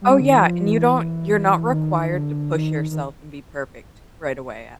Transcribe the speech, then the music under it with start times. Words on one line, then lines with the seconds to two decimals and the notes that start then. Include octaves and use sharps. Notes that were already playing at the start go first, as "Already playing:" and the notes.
Oh, yeah, and you don't you're not required to push yourself and be perfect right away, a
0.02 G3
0.21 D3
0.29 D#3
0.36 E3
0.44 F3
0.66 E3
1.72 D#3
2.14 D3
2.57 D#3
2.91 D#3